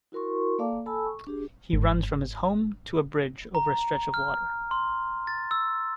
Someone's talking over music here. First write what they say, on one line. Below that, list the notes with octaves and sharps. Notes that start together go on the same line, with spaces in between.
He runs from his home to a bridge over a stretch of water.
E4 F#4 A#4 C6 C#6
A#3 A4 D5 F5 A5 D6
A4 G#5 A5 B5 E6
C#6
D4 G4 G#4
G1 G#2
A#5
F6
C6
A6
E6